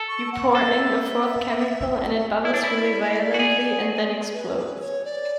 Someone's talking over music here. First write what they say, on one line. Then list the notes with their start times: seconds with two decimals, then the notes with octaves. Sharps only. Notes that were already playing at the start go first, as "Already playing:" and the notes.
You pour in a fourth chemical, and it bubbles really violently, and then explodes.
Already playing: A4
0.08 C#6
0.32 F#5
0.55 A4 F#5
0.59 E5
2.45 E4 D5
2.53 D4 C#5
2.61 E4 D5
3.34 F#4
3.39 G#4
4.34 B4
4.57 B4
4.81 C#5
5.05 D5